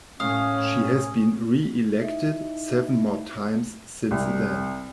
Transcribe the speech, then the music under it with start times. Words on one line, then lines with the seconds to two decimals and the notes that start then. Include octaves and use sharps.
She has been reelected seven more times since then.
0.20 A2 C#4 F5 D#6
2.01 D#4 E4 D#5 E5
4.11 C2